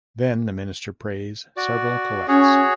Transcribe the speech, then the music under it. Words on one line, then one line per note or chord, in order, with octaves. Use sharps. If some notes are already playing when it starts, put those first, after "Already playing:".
Then the minister prays several collects.
F#4 D5
C#4 F#4 G#4 C#5